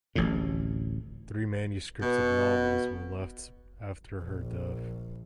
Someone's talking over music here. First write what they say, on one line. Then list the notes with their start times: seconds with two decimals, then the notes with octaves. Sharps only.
Three manuscripts of novels were left after her death.
0.15 D1 A1 D2 A2
2.01 B2
4.22 A#1